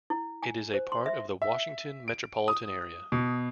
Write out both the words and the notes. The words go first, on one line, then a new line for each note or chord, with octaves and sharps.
It is a part of the Washington metropolitan area.
E4
G#5
C5
C6
E5
E5
D7
D#6
B2